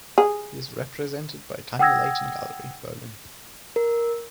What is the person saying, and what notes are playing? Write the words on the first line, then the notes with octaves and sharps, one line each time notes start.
He is represented by Tanya Leighton Gallery, Berlin.
G#4
F#5 G5 D#6 E6 G#6 A#6
A#4